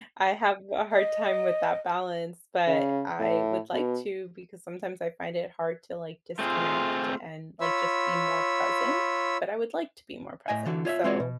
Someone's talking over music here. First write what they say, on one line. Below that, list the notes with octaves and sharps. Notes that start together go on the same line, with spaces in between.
I have a hard time with that balance, but I would like to because sometimes I find it hard to, like, disconnect and, like, just be more present, but I would like to be more present. So,
D#5
C#3
A2
B2
A3 C4 F4 G#4
F4 C#5 B5 E6
A2 D#5 G5 G#5
D3 E3 F#4
F4 C#5 D#5 E5
G#3 C4 F4 F#4 C#5 D5
B2